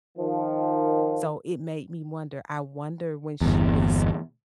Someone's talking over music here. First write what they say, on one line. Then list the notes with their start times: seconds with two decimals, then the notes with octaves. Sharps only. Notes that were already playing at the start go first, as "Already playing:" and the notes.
so it made me wonder. I wonder when she was
0.18 D#3 F3
3.41 G1 E2